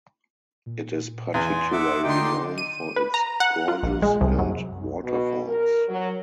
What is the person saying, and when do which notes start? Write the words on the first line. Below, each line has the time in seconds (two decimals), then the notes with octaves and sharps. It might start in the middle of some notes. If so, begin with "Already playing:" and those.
It is particularly known for its gorges and waterfalls.
0.66 A#2
1.34 E2 G#5 C6
1.72 E5 F#5 D6
2.04 D3 D#4 F4 G5 C6 D6
2.58 D#7
2.96 B4
3.14 A#5
3.40 F#5
3.68 F4
3.83 A#1
4.02 G#3
4.21 C2
4.39 F#2
5.04 B2
5.48 A#4
5.89 F#3